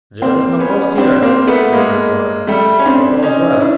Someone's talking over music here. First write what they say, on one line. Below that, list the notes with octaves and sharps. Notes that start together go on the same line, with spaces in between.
"There is no coast here," was the reply, "but all's well."
A#3 C4
B3 C#4
C4 D4
A#3 C4
A3 B3
G#3 A#3
G3 A3
C#4
C4 D4
C#4 D#4
D4 E4